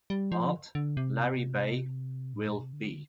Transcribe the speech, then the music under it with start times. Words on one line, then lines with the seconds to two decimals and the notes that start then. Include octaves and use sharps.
Art: Larry Bay, Will B.
0.10 G3
0.32 F3
0.75 D3
0.97 C3
2.34 A2
2.47 A#2
2.60 C3
2.73 D3